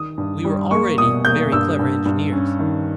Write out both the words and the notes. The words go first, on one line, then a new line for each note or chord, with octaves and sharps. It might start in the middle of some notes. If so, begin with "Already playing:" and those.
We were already very clever engineers.
Already playing: D#3 D#6
G2
G3
A#3 C#6
B2 D#6
A#3 G6
G2 E6
G2
G2
C#4
D#3